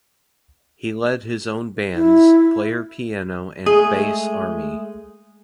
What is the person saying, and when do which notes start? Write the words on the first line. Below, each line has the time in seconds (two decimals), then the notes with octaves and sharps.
He led his own bands, Player Piano and Bass Army.
1.95 E4
3.66 G#3 A3 G#4 D#5